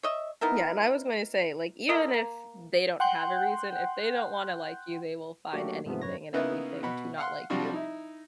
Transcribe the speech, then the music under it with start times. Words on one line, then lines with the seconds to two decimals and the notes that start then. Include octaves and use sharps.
Yeah and I was gonna say, like, even if they don't have a reason, if they don't wanna like you, they will find anything and everything to not like you.
0.03 C#5 D#5 E5
0.41 B3 D#4 E4 A#4
1.89 A3 A#3 E4 D#5
2.14 A#3
3.00 F#5 G5 C6 F#6 G6
5.53 F#3 A3 A#3 D4 F#4 G4
5.86 G#2 C3 F3 A3 B3
6.02 F#2 B4 C#5 A#6
6.33 C#3 A#3 B3 D#4 E4 B4
6.83 B2 F#5 B5
7.18 F5 F#5 C6
7.50 C3 F3 G3 C4 D4 F#4
7.73 D#4 E4